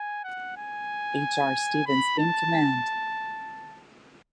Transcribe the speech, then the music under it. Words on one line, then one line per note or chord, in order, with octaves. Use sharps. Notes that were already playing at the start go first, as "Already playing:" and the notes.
H. R. Stevens in command.
Already playing: G#5
F#5
G#5
B5
A5